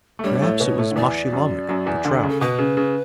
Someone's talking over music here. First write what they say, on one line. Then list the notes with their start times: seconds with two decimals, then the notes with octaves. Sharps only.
"Perhaps it was Maschilamek, the trout."
0.19 A3
0.24 G2 G3 C#5
0.35 G3
0.41 A2 A3
0.60 B2 B3
0.78 A2 A3
0.91 D3
0.96 E2 E3 D5
1.32 F#2 F#3
1.69 F#2 F#3
1.86 E2 E3
2.04 D2 D3
2.23 C#3
2.29 A4
2.41 B2 B4
2.59 C#3
2.77 C#3